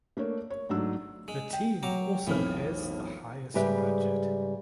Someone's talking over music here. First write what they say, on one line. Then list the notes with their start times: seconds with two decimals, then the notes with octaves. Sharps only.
The team also has the highest budget.
0.17 A3 A#3 D4 C#5
0.50 C#5
0.69 G#2 F#3 A3 D4 E6
1.28 G#3
1.53 G5
1.83 F#3 A#5 D6
2.27 B1 F2 A2 E3 F6
3.54 G#2 C#3 G3 G4 B4 E5